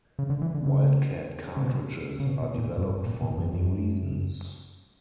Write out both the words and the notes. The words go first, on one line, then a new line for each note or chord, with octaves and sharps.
Wildcat cartridges are developed for many reasons.
C#3
D3
E3
D3
C#3
C#3
B2
C#3
B2
B2
A#2
F#2
G2
A#2
B2
F#2
F#2